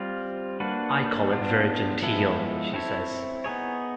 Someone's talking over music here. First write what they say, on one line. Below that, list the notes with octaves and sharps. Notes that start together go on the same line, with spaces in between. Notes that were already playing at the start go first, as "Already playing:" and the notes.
"I call it very genteel," she says.
Already playing: G3 C4 F4
A#3 D4 F#4 B4
B3 D4 F4
F3 G#3 B3 E4 A4
C4 E4 A4 C#5
B3 D#4 G#4 C#5